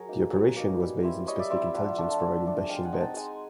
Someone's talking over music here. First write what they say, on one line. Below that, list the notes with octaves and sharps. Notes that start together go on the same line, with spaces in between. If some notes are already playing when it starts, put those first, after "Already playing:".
The operation was based on specific intelligence provided by Shin Bet.
Already playing: F#3 G#4 A#4
A#3 D#4
F#3 B4 C#5
A#3 D#4
G3
C4 E4
G3 C#5 D#5
D5 E5
C4 E4 D5 E5
F3 E5 F#5
A3 D4 F4
F3
A3 D4 F4
G#5
G#3 F5 G5
F#5 G#5
C4 D#4
G5 A5
G#3 F#5 G#5